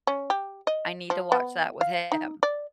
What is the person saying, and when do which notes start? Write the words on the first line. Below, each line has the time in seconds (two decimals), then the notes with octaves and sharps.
I need to watch that with him.
0.07 C#4
0.30 G4
0.67 D#5
1.10 F3
1.32 B3
1.81 F5
2.12 D#4
2.43 D5